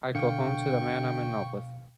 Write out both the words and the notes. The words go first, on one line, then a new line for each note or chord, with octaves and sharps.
I go home to the man I'm in love with.
B2 D3 F5 G5 C#6 C#7